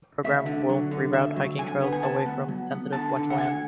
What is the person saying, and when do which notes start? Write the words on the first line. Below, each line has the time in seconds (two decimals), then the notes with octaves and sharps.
The program will reroute hiking trails away from sensitive wetlands.
0.24 D2 E5
0.46 D3
0.69 F#3
0.91 D3
1.13 D2 E5
1.36 F#3
1.58 D3 G#5
1.81 B3
1.93 G#5
2.03 D2 A5
2.26 B3
2.48 F#3
2.71 B3
2.93 D3 A5
3.16 D3
3.30 F#5
3.37 D2 G#5